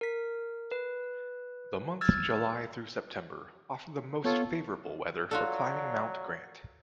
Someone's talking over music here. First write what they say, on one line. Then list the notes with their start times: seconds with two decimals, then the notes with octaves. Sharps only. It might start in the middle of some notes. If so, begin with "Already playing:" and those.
The months July through September offer the most favorable weather for climbing Mount Grant.
0.01 A#4 B6
0.72 B4
2.01 E6 F6 G#6 A6
4.25 B3 F4 A4 C#5
5.31 F#3 F4 F#4 A4 D5